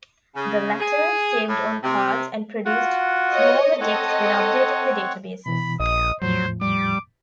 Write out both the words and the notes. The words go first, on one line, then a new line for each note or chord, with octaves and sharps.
The latter saved on cards and produced smaller decks when updating the databases.
C#3
G#4
A2
C3
F4 F#4 F#5
C#5 D#5
C4 A4 C#5 D#5 F#5
B2 E3 B5
A#1 D#5 D#6
E2 A2 F3 F#3 C5
G3 D6